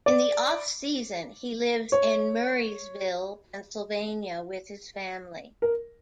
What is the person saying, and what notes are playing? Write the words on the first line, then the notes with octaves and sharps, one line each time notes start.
In the offseason, he lives in Murrysville, Pennsylvania with his family.
D5
C#5
A#4